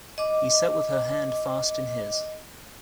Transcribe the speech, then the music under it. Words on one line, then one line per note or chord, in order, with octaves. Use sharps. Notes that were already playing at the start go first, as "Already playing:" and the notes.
He sat with her hand fast in his.
D#5 D6